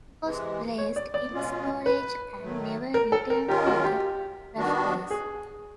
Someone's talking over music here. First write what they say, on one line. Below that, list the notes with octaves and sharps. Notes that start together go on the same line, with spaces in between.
It was placed in storage and never returned to the rafters.
C3 E3 G#3
C#5
D5
D5
B2 G#3 C#4 F4
B4
D#3 F#3 A3
A#4
A4
A#4
D#3 G#3 C#4 F4 G4 A#4
F#4
G4
D#3 G3 B3 D4 F#4
G#4